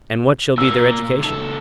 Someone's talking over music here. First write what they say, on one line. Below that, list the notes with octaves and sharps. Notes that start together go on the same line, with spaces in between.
And what shall be their education?
A#2 A#3 E6
C#2 A4